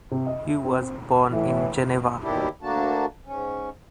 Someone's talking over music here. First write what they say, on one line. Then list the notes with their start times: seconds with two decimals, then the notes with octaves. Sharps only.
He was born in Geneva.
0.11 C3
0.27 D#5
0.46 E5
0.64 C4
1.31 A2 E3
2.23 D#2 B2 D#3 D4 E4 G4
2.62 D2 D3 A#3 D4 F#4 A5
3.26 G#2 C#4